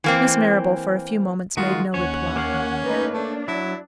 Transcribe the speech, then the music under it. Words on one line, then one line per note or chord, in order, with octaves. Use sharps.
Miss Marrable for a few moments made no reply.
E3 A#3 C4
D#3 G#3 F4 F#4
D#2 C#4 C#5 F#5
A#3 C#5 F5
A3 D#4 B4
A3 D4
F#3 E4